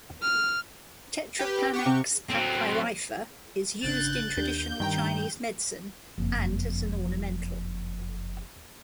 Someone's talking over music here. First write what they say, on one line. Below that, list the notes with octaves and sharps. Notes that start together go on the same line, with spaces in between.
"Tetrapanax papyrifer" is used in traditional Chinese medicine and as an ornamental.
F6
G4 B4
G4 F#5 C#6
C3
F#3 C4
G#1 C#3 D4 F#6 G6 A6
D#2 D4 G4 G6
G2 D#3 G3 G5 A#5
F#1 F2